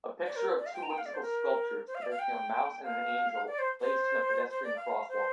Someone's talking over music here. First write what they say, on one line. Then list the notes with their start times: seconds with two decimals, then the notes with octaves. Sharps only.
A picture of two whimsical sculptures depicting a mouse and an angel placed in a pedestrian crosswalk.
0.26 D5
0.36 A#4
0.58 D5
0.66 F5
0.74 G5
0.83 A#5
0.90 G5
0.98 F5
1.06 D5
1.14 C5
1.22 A#4
1.87 C5
1.95 F5
2.02 D5
2.11 F5
2.19 G5
2.84 F5
3.47 D5
3.59 C5
3.80 C5
4.50 C5
4.64 D5
4.76 F5
5.09 C5